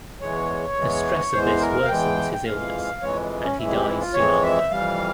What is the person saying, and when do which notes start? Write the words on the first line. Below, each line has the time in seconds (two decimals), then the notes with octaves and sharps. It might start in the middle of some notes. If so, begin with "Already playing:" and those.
The stress of this worsens his illness and he dies soon after.
0.21 E2 E3 G#3 C#5
0.76 E2 E3 G#3
1.33 E2 E3 G#3 C5
1.61 A#4
1.83 F5
1.89 E2 E3 G#3 G5
2.33 G5
2.45 F2 E3 G#3 F5
3.02 F2 E3 G#3 C#5
3.43 C#4
3.58 F2 E3 G#3 E4
3.72 G4
3.86 E4
4.01 F4
4.14 F2 E3 G#3 C#5
4.43 E5
4.70 F2 E3 G3 F5